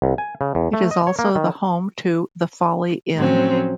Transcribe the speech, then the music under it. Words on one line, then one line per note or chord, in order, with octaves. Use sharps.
It is also the home to The Folly Inn.
C2
G#5
C#3
E2
A3
D#5
C#5
A#3
D#3
A2 F3 F#3 C4 C#4